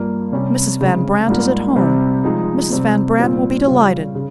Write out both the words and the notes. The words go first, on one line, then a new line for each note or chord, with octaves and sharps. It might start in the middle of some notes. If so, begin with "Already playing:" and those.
Mrs. Van Brandt is at home. Mrs. Van Brandt will be delighted.
Already playing: G2 G3 A#3 F4
C3 G3 C#4
C#3 G#3 C4
G#2 G3 A#3 F4
C3 G3 C4 G4
F3 G#3 D#4
C3 G3 C4
A#2 G3 C4 F4
C#3 G3 C#4 F4
C#3